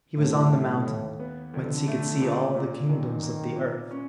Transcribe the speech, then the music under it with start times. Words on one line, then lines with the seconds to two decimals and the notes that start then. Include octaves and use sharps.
He was on the mountain, whence he could see all the kingdoms of the earth.
0.17 C2 A2
0.52 G3
0.86 D#2
1.20 B3
1.53 F2 D3
1.88 A3
2.22 A#2
2.55 A#2
2.88 F#2 D#3
3.23 A#3
3.56 A#2
3.91 C#4